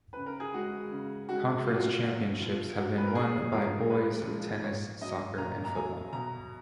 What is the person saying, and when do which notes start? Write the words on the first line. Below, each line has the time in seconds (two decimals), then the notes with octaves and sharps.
Conference championships have been won by boys' tennis, soccer, and football.
0.13 C#3 B4
0.26 A#4
0.40 G#4
0.54 G#3 F#4
0.92 C#3
1.29 G#3 F#4
1.66 B2 F4
1.75 F#4
1.84 F4
2.03 F#3 F#4
2.40 B2 F4
2.77 F#3 F#4
2.98 B4
3.07 A#4
3.15 A#2 G#4
3.42 G#4
3.52 F3 G#3 A#4
3.90 A#2 B4
4.27 F3 G#3
4.64 A#2 C#5
5.01 F#3 D#5
5.38 A#2 A#5
5.65 A#5
5.75 F#3 G#5
6.12 B2 A#5